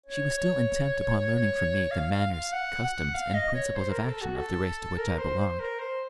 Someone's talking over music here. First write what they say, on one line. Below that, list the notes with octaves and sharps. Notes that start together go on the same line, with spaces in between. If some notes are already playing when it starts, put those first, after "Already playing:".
She was still intent upon learning from me the manners, customs, and principles of action of the race to which I belonged.
C#5
C#5
F5
F5
F5
F#5
F#5
F5
D#5
C#5
C5
A#4
A4
F#4
A4
A#4
C5
C5
A#4
C5